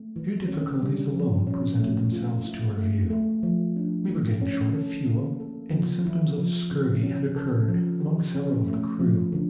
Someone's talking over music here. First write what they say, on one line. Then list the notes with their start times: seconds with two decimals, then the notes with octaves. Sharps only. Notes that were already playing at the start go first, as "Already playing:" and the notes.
Two difficulties alone presented themselves to our view; we were getting short of fuel, and symptoms of scurvy had occurred among several of the crew.
Already playing: A3
0.16 E3
0.48 C#4
0.82 G3
1.14 F3
1.47 C#4
1.80 A3
2.12 F4
2.45 E4
2.78 A3
3.10 A3
3.43 F3
3.76 D4
4.09 A3
4.41 C#4
4.74 A4
5.06 A#3
5.40 A4
5.72 F3
6.05 E4
6.38 F3
6.71 C#3
7.03 C#4
7.36 A4
7.69 F3
8.01 G4
8.34 C#4
8.67 A3
8.99 F3
9.32 D3